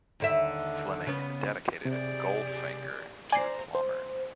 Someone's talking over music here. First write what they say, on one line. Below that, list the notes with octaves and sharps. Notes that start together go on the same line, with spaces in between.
Fleming dedicated "Goldfinger" to Plomer.
D#2 D3 E5
C#3 B3
C3 G4 G#4 D5
C5 D5 G#5 A#5 C7
C5